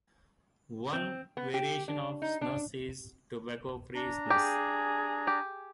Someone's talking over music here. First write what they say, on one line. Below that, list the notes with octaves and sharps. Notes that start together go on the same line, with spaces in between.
One variation of snus is tobacco-free snus.
C4
B3
G4
D4
D#4
D4
D4 A#5
G4 G#4
G4